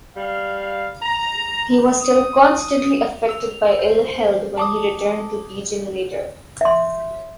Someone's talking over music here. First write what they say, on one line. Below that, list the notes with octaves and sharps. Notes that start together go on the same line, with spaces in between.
He was still constantly affected by ill health when he returned to Beijing later.
G3 F5
A#5
D#6
E6 F7
C5
A5 D6 D#6
E5 C6